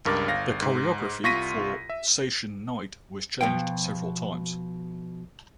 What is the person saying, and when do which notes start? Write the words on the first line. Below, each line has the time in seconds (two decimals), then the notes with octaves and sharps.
The choreography for "Seishun Night" was changed several times.
0.05 C#2 G2 A#4 D6 A6
0.28 G1 F5 A#6
0.62 G#2
1.23 C2 F4 C#6 A#6 B6 D#7
1.90 E5
3.41 B2 F3 F5 G5